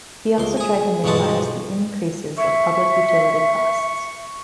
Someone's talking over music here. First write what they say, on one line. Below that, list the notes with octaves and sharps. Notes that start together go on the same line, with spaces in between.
He also tried to minimise the increases of public utility costs.
C#2 C6
G#4 G#5
B1 G2 F3 G#3 F#4 A5
E5 C#6